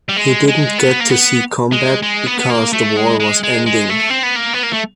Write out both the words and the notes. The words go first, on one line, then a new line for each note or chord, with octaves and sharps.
He didn't get to see combat because the war was ending.
G3
G#3
G#3
B3
A#3
B3
G#3
G#3
B3
B3
A#3
A3
G#3
G#3
G#3
G#3
A3
C4
B3
A#3
B3
A#3
A3